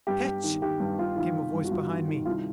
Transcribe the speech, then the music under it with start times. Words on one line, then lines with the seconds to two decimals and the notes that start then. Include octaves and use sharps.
"Catch!" came a voice behind me.
0.07 G2 G4
0.25 G2
0.43 D#3
0.62 D#3 G4
0.80 G2
0.99 G2 F4
1.16 D#3 F4
1.34 D#3
1.54 G2
1.64 F#4
1.71 G2 F4
1.89 D#3
2.08 D#3
2.25 C2 F4